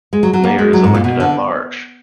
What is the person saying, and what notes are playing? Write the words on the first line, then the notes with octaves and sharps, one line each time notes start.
The Mayor is elected at large.
G#3
F#3
F#3
A#3
G#3
F#3
G#2
A#2
B2
D3